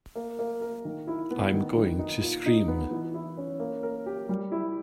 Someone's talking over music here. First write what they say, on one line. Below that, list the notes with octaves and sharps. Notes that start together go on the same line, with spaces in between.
I'm going to scream!
A#3
A#3
A#4
D#3
E4
B3
D#3
D#3
D#4
A#2
D#4
B3
E3
E4
C#4
A#3
A#4
G4
G3
E4